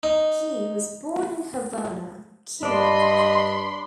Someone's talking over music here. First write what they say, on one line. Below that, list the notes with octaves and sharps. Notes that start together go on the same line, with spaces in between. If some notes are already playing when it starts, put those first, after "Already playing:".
Gee was born in Havana, Cuba.
D#4
G2 D4 D5 D#5 B5 C6